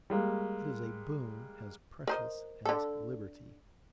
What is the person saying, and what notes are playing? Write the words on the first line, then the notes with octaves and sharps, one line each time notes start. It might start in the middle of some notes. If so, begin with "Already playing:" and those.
"It is a boon as precious as liberty."
G3 G#3 A#3
A#4 C5 D#5
D3 A4